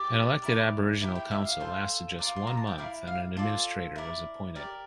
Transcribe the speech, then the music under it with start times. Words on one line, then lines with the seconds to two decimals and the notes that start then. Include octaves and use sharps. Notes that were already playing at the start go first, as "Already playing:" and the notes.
An elected Aboriginal council lasted just one month and an administrator was appointed.
Already playing: G4 D5
0.42 E4 A#4 D5
1.01 E4 G4 A#4
1.15 G5
1.31 E5
1.45 F5
1.60 F4 A4 C5
2.19 F4 A#4 D5
2.36 C6
2.47 A#5
2.57 A5
2.67 G5
2.78 E4 A#4 D5 F5
3.07 F5
3.37 F4 A4 D5
3.96 E4 A#4 D5
4.55 G4 A#4 D5